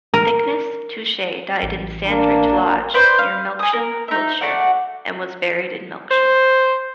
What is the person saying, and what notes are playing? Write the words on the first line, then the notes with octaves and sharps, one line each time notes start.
Thicknesse-Touchet died in Sandridge Lodge, near Melksham, Wiltshire and was buried in Melksham.
A#4
A1
A#3 D4
B4 C5 D5
F5
G#5 D#6
A#4
D#4 E5
A3 F#4 D5 F#5
C5